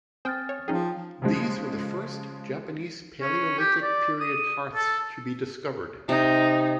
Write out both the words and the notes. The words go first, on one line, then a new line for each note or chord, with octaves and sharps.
These were the first Japanese Paleolithic period hearths to be discovered.
C4 C5 G5 G#5 D#6 F6 A6
C#5
F3 C#4 D#4 G#4 G5
C#3 F3 G#3
C#4
G4
D5
D#6
A4
C3 D#4